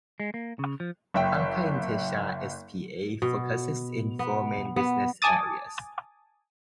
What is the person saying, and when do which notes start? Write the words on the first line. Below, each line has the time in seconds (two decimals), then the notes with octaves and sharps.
Banca Intesa S.p.A. focuses in four main business areas.
0.20 G#3
0.34 A#3
0.59 C#3
0.80 F3
1.14 F#1 E5 G5
3.22 B2
4.19 B3
4.76 B3
5.22 G#5 A5 D6 D#6 A6